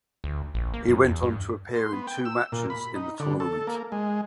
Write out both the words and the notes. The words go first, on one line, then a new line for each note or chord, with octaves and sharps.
He went on to appear in two matches in the tournament.
D2
A#1
A#3
F#2
E2
G2
C6
B3
G5
E6
A#2
B5
D#4
D3
A4
A#3
G#3